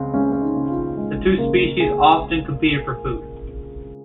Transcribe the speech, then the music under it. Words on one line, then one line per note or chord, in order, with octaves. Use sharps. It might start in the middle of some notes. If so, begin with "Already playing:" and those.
The two species often competed for food.
Already playing: C#2 C#3 C4
C#2 C#4
C#4
D#4
C#3
F4
C#2 G#3
C#3 A#3
G#4